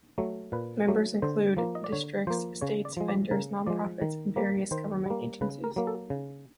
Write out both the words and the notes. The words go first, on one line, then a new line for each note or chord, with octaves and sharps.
Members include districts, states, vendors, non-profits, and various government agencies.
F#3 A3
A#2 B4
F#3 A3
D3 C5
F3 A#3
D#5
D5
D3 C#5
F3 A#3 C5
C#3 C#5
D5
F3 G#3
D5
C#3 A#4
F3 G#3 D5
D#3
G3 A#3
D#3 C5
G3 A#3
C#3 B4
A#4
F#3 A#3
A4
C#3